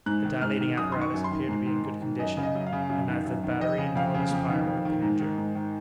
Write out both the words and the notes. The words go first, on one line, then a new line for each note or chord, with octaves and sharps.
The dilating apparatus appeared to be in good condition, and neither the battery nor the spiral had been injured.
G#2 F#6
D#3
G#2 F6
D#3
F#2 D#6
D#3 C6
C#6
F#2
C6
D#3
G#2
D#3
G#2
D#3
F#2 D#5
C#3
D#5
F#2
F5
C#3
F#2
D#3
F#2
D#3
F2 D#5
C#3
F2 F5
C#3
F2
D#3
F2
D#3
G#2
D#3
G#2
D#3